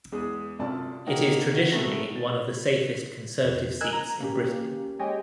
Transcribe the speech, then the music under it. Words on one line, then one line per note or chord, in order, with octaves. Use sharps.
It is traditionally one of the safest Conservative seats in Britain.
E2 G#3 G#4 D#6
G1 F#2 C3 F4 D5 A5
A#3 C#4 D#4 F#4 F#5 G5
F#4
C3 D#3 F#3 G#3 A3 B3
A6
F2
A#4 D#5 G#5 E6 F#6 G#6
A#5
A#3 C#4 G4
G#3 G4 C#5 D#5 G5 G#5